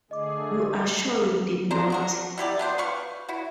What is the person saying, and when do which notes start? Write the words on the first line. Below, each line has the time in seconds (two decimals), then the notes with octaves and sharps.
You are sure you did not?
0.11 D3 A3 G#4 D#5 D6
1.71 D4 C5 A#5
1.90 D4 F#4 A#4
2.38 B2 E4 G4 D5
2.59 B3 D4 C5
2.78 B4 F5 C#6
3.29 E4 F#4